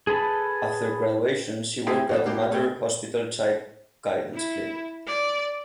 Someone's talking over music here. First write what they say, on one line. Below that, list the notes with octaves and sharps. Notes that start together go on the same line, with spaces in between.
After graduation she worked at the Mater Hospital Child Guidance Clinic.
G#4 A4 B4 A5 B5
A3 C4 E4 G#4 E5 G5
F2 B2 A4
B2 A#3 G4
A3 G#4 G5
E4
D5